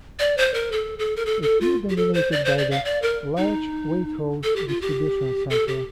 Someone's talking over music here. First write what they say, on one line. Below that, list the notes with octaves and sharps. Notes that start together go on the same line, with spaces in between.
It is dominated by the large Waitrose distribution centre.
D5
C5
A#4
A4
A4
A#4
A4
A4
F4
G4
A4
C5
D5
C5
D5
F5
D5
A#4
D#4
A4
G4
F4
G4
A4
G4